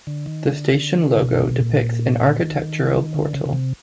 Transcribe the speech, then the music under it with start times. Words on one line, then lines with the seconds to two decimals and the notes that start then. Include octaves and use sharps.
The station logo depicts an architectural portal.
0.07 D3
0.26 D#3
0.45 D3
1.17 C3
1.22 B2
1.60 A#2
2.27 D3
2.38 D#3
3.14 D3
3.33 C#3
3.46 C#3
3.53 C3